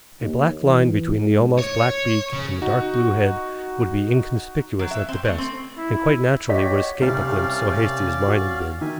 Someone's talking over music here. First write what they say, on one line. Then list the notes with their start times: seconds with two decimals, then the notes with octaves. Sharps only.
A black line between the almost black beak and the dark-blue head would be inconspicuous at the best, and quite naturally would escape a glimpse so hasty as mine had been.
0.20 D#2
0.61 E3
1.13 G#2
1.59 C#5
2.33 C#3
2.62 D#4 F#4
4.79 F#3
4.91 E5
5.09 C4
5.25 A3
5.38 C4
5.78 E4
6.49 F#4 G4 C#5 D#5 B6
7.01 C2 C#4 D5 F5
8.27 F#4
8.81 D#3 E5 G#5